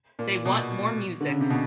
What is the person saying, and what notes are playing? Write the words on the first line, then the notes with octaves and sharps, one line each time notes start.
They want more music.
A#2
B2
D3
C#3
C3
B2